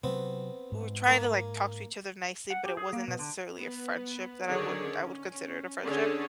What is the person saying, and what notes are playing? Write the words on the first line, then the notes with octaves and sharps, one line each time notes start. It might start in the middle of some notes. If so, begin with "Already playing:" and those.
Eh, we were trying to, like, talk to each other nicely, but it wasn't necessarily a friendship that I would I would consider it a friendship.
C3 F#3 B3 C4
G#2
A#3 G#5
F#5
G4
G#4
A#3
B2
D3
B3
D3 D#3 F#3 G#4 C#5 D5
C#4
D3 C#4 D4 G#4 A4 C#5